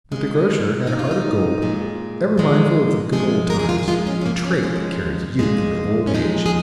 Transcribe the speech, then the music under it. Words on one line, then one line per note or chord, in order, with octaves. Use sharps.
But the grocer had a heart of gold, ever mindful of the good old times--a trait that carries youth into old age.
A#2 G#3
A#2 G#3 D#4
F4
D#4
A#2 G#3
A#2 F3 G#3
A#2 F3 G#3 G#4
A#4
G#4
F4
G#4
A#2 F3 G#3 F4
C#4
C#4
A#3
C#4
A#2 F3 G#3
A#2 F3 G#3
C#4
A#2 F3 G#3 D#4
G#4